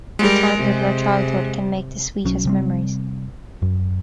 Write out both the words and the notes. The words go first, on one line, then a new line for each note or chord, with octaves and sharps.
The times of your childhood can make the sweetest memories.
G3 G#3 A#4
C3
B1 F#3 C#4
C3 G3 C4
F#2